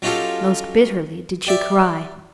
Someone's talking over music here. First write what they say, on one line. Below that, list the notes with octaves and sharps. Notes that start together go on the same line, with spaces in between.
Most bitterly did she cry.
F#3 C#4 D#4 F4 G4 A4
G4 D5 E5